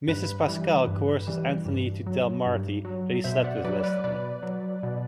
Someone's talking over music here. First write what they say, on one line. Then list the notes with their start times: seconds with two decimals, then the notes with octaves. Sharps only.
Mrs. Pascal coerces Anthony to tell Marty that he slept with Lesly.
0.08 G2 B4
0.48 E3 G3
0.87 G2
1.27 E3 G3
1.66 G2
2.06 F#3
2.46 G2
2.85 F#3
3.24 B2 C5 E5
3.44 D5 F#5
3.64 F#3 B4 D5
3.84 B4 D5
4.04 B2 B4 D5
4.43 F#3
4.83 B2